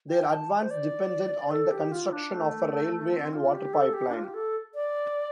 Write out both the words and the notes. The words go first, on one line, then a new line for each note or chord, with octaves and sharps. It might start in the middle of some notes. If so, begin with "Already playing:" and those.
Their advance depended on the construction of a railway and water pipeline.
G5
A5
C5
D5
A4
G4
F4
D4
A3
C4
F4
G4
A4
G4
D4
F4
G4
A4
D5